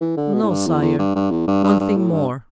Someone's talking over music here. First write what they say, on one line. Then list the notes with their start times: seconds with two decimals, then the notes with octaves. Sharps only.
"No, sire, one thing more."
0.01 E3
0.17 D3
0.34 B2
0.43 A2
0.49 G2
0.66 E2
0.82 E2
0.99 G2
1.15 G2
1.31 E2
1.47 G2
1.64 G2
1.80 G2
1.97 A2
2.13 G2